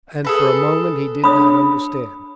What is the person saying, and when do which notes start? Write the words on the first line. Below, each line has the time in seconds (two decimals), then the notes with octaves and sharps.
And for a moment he did not understand.
0.24 G#4 A4 B4
1.24 D4 C#5 B5 D#6